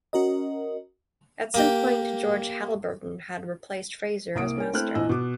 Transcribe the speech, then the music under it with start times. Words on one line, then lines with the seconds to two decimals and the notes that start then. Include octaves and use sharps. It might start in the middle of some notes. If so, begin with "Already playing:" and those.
At some point George Haliburton had replaced Frazer as master.
0.13 C#4 F#4 A#4 D#5
1.54 A#3 G4 G5
4.35 C2 A#3 D#6 D7
4.56 C#4 A#4 G#5
4.73 A3 C4 E4 C5 F6 F#6
4.95 A#1 E2 E3 D#5 E6
5.09 B2 D6